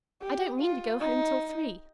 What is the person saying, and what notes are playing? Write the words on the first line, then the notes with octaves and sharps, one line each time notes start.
I don't mean to go home till three.
G4
F4
D#4